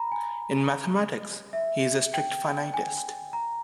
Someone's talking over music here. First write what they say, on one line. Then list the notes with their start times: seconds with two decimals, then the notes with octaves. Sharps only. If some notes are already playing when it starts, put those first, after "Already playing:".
In mathematics, he is a strict finitist.
Already playing: A#5 B5
0.12 G#5
1.53 E5
2.14 G5
2.74 G#5
3.33 A#5